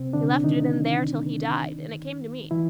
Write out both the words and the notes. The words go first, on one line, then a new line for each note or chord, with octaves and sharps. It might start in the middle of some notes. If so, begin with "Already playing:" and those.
He left it in there till he died, and it came to me.
Already playing: C3 C4
D3 D4
D#3 D#4
E3 E4